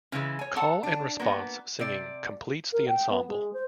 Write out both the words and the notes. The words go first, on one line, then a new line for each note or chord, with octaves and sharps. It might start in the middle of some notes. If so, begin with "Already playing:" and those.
Call-and-response singing completes the ensemble.
C#3 E3 G#3 E4
C#5 G#5
A4 F#5 A5
D4
A#3 B3 F#4
C3 D5
A#4
G5
B3
G#3
C5